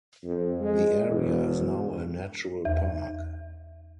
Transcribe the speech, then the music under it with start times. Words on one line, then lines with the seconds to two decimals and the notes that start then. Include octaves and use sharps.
The area is now a Natural Park.
0.24 F2
0.61 G#3
1.07 E1
2.65 E2